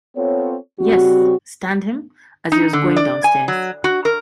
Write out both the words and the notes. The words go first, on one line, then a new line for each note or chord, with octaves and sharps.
Yes — stunned him — as he was going downstairs.
B3 C4 F4 A4 C#5
C#3 G3 C4 F#4
D#4
D3
D5
G#5
F#3
F#4
A#4